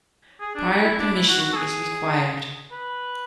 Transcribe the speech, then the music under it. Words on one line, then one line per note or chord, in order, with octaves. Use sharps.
Prior permission is required.
G#4
D4
E4
E4
D4
E4
F#4
F#4
A4
G#4
B4